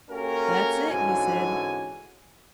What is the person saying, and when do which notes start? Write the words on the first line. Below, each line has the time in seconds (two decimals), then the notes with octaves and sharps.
"That's it," he said.
0.10 A#3 C#4 F#4 G4 A4 A#4
0.90 G#2 D3 E3 C#4 F#4 G#5